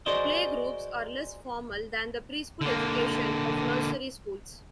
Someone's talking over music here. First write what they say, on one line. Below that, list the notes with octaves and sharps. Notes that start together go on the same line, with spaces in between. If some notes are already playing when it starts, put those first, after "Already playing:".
Playgroups are less formal than the pre-school education of nursery schools.
F#4 G#4 A#4 C5 D5 D#5
D3 A#3